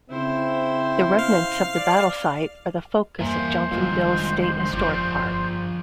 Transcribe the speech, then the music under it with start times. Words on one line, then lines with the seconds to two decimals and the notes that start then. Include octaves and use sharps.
The remnants of the battle site are the focus of Johnsonville State Historic Park.
0.10 C#3 C4 E4 C5
1.19 F5
1.75 D5
3.20 E2 G2 A#3 C5 E5 F5 G#5
3.71 F1 D3 D#3 F3 G3 G#3
4.72 G1 F3 F4 D5